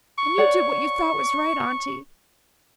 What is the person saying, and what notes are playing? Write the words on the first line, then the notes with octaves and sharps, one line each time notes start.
And you did what you thought was right, Auntie.
C#6
C#5 D5 F#5